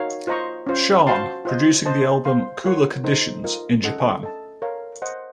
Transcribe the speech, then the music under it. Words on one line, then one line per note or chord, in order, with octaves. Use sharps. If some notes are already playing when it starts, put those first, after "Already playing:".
Shan, producing the album "Cooler Conditions" in Japan.
Already playing: D#4 F#4 A#4 C#5 F5
F4 C5 D#5 A#5 C#6
C#4 F4 C5
F#4 C5 F5 A5 C6
F4 C5 D#5
C5 D#5 A5
C5 F5 C6
F4 A#4 C#5 F#5 C6
D#4 A4 C5
F4 A#4 D#5
C#4 A4 D#5 F#5
A4 D#5 A5
A#4 C#5 F5
C5 D#5 F#5